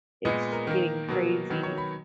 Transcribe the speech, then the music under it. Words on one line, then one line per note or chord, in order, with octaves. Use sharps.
it's getting crazy.
A#2 G#3 B3 D#5
A#4
D#3 A#3
B2 F#3 A#3
D#3 F#3 B3
C#5
B5